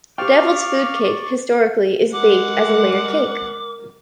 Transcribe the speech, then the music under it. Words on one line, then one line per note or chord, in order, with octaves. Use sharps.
Devil's food cake historically is baked as a layer cake.
G4 C5 D5 F5 G5 C#6 D6
G#3 A#4 F#5 D6